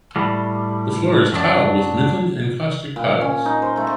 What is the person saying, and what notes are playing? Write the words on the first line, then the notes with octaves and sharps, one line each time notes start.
The floor is tiled with Minton Encaustic tiles.
A2 G3
F#2 F#3 D4
A#2
C#4
D#4
C5
A3